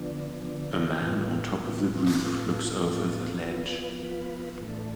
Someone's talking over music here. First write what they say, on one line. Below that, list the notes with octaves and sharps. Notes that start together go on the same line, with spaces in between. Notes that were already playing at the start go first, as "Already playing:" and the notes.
A man on top of the roof looks over the ledge.
Already playing: D3 F3 B3 D4
D3 F3 B3 D4
A2 E3 B3 F4
A2 E3 B3 F4
A2 F3 B3 F4 A4
A2 F3 B3 F4 A4
F3 B3 F4 B4
F3 B3 F4 B4
A2 E3 A3 D4 A4